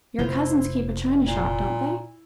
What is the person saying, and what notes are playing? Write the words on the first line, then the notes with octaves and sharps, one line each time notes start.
Your cousins keep a china-shop, don't they?
F1 E4 F4 C5
A#2 E4 C6